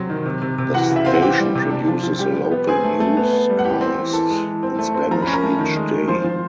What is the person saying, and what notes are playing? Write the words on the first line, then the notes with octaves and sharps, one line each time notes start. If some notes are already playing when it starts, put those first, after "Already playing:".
The station produces a local newscast in Spanish each day.
Already playing: C3 F#3 C4
D#3
C3
C3
C3
E3 F#4 F#5
C#3
E5
C4 F5
F#5
E3 G4 G5
G3
C3
D4
F3
F3
G3 G4 G5
B3
B3
C4 G#4 G#5
A3
A3
B3
B3
G3
F#5
E3 G4 G5
C4
E3
E3 A4 A5
G#3
E3
C4
A3
C4
F3 A#5
C#4 B5
A#4 A#5
A3
D#3
G#3
D#3
F3 C5 C6
F3